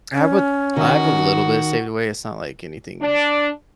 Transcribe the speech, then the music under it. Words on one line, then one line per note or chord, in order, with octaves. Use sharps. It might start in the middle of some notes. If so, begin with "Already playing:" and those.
I have a I have a little bit of saved away, it's not like anything
C#4
D#3 F#4
D4